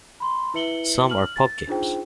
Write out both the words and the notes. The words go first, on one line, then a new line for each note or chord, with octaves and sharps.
Some are pub games.
B5 C6
E4 B4 E5 C#7 F#7 G7
F6 F#7
A6
D4 D#4 F4 G#4 C5 G5